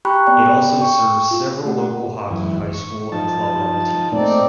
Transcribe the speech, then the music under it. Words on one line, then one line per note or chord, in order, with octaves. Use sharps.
It also serves several local hockey high school and club level teams.
G4 G5 A#5 B5 C#6 F#6
B3 D5 G5
G5 C#6
F4
A3 G4 F#5
F#2 E3
C#6
F3 D#4 A5
A#2 A3 C4 D#4 D5